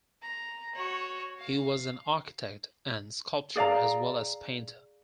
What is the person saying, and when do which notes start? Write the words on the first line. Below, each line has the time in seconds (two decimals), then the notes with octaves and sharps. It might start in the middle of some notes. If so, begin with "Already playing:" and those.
He was an architect and sculptor as well as painter.
0.22 A#5
0.75 F#4 C#5
1.39 F5
3.56 G#4 D5 F5 A#5